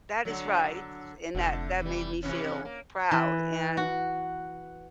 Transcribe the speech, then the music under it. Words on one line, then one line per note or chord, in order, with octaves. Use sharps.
that is right and that that made me feel proud and,
D3 F#3
F1 D3 A3
E3 G3
C3 E3 C#4
A#3
E3
F#4